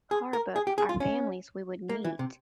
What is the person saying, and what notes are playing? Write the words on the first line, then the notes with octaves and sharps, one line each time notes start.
car, but our families, we would meet
G#4
A#4
G#4
G4
G#4
F4
C#4
A#3
E3
C3